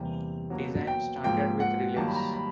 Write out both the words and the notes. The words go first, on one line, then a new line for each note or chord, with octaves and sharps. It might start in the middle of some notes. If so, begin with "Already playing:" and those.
Design started with relays.
Already playing: E2 C3 E3 G3 A#3 G5
B2 F#3 A#3
G5
G#2 F3 A#3 G5
F#5
F#2 D#3 G3 A#3 A5
B5
A#5
B5